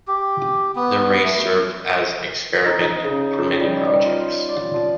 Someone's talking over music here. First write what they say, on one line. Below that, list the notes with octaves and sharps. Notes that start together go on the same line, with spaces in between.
The race served as experiment for many projects.
G4
B3
A3
D#4
D#4
C#3
A5
G3
G3
F4
D5
F3